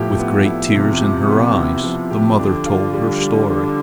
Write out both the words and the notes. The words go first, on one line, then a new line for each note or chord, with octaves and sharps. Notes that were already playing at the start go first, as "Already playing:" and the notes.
With great tears in her eyes the mother told her story.
Already playing: A2 F3 B3 E4 G4
B3
E4
C3 F3
G4
B3
E4
F3
G4
D3 D4
F4
G3
G3
D4